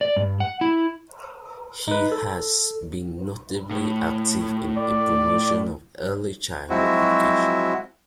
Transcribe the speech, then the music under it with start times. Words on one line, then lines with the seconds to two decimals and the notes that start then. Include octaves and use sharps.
He has been notably active in the promotion of early childhood education.
0.01 D5
0.16 G2
0.40 F#5
0.61 E4
1.88 D#4 B4
2.12 A4
3.71 A2
4.77 D5
6.70 F3 F#3 G#3 C4 E4 F#4